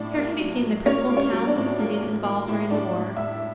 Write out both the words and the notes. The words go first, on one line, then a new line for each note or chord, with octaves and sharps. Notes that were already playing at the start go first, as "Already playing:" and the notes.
Here can be seen the principal towns and cities involved during the war.
Already playing: A2 D4 D5
A#3
F#3
F#3
A#3 C#4 C#5
A#3
C#4 C#5
F#3
D4 D5
A2
A#3
A#3
A#3
A2
A2 D4 D5
A2
A2 E4 E5